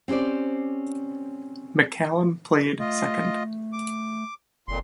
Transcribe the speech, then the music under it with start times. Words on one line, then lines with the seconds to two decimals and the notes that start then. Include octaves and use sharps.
McCallum played second.
0.08 C4 C#4 G4 C5 D5
2.80 A3 F4 D#5
3.73 D6
4.68 F#1 F2 A#2 C6